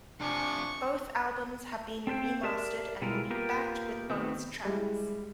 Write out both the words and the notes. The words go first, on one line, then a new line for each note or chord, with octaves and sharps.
Both albums have been remastered and will be backed with bonus tracks.
C3 F3 D4 G#5 C#6
C4 A4 B4 C5 G5
G4 A#4 D5 E5 A5
B2 G3 G#3 E4 F4 A#4
A#3 B3 F4 G4 A#4
D#3 A3 B3 C4
G3 G#3 E4